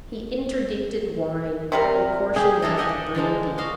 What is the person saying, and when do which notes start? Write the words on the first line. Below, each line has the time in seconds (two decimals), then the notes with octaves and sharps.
He interdicted wine, and portioned out the brandy.
1.72 C3 G3 A#4
2.36 G4 G#4
2.62 A#3 D4 A4 D#5
2.77 G4 A4 D#5 F#5 G#5
3.15 D3 F3 G#3 A#3
3.58 F#4 D#5 F5